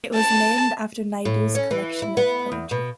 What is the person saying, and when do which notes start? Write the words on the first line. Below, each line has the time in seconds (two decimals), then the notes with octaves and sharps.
It was named after Naidu's collection of poetry.
0.15 A5
1.25 A2
1.55 C#4
1.71 E3
2.02 E4
2.17 B3
2.52 E2
2.71 B2